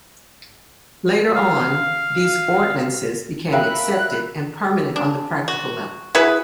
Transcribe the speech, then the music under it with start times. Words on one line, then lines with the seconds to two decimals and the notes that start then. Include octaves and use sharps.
Later on, these ordinances became accepted and permanent on the practical level.
1.35 F5
3.53 A#4 E5 F5 G5 B5 F#6
4.96 D4
5.48 F#4
6.15 E4 F#4 G#4 B4